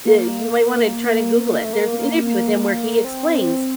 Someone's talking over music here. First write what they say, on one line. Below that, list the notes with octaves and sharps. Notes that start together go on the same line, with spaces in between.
you might wanna try to Google it. There's an interview with him where he explains,
A#3
A#3
A3
A#3
C4